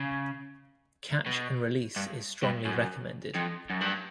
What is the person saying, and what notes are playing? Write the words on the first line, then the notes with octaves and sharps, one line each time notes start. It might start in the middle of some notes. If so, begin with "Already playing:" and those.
Catch and release is strongly recommended.
Already playing: C#3
B2
G2
G2
F#2
F2
F#2
G2